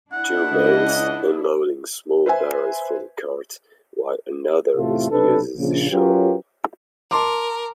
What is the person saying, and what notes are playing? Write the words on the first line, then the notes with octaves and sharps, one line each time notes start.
Two males unloading small barrels from a cart, while another uses a shovel.
D4 E4 F#5
C#2 D#5
B4 C5 E5 G#5
E2 A2 C3 A3 F4 A4
B1 C3 D4 A4 B4
A#1 C#3
F#3 C#4 F4 G4 A#4 B4
A#4 A5 C6 D6